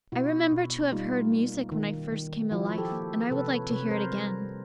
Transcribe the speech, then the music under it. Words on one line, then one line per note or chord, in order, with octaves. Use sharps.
I remember to have heard music when I first came to life, and I would like to hear it again.
B2 E4 F#4
B2
G3 D#4 F4
A#3
D#3
D#3
F3 E4 F#4
G4 A4
A#3
C3 A4 B4
B4 C#5
C3 B4 C#5
A#4 C5
G3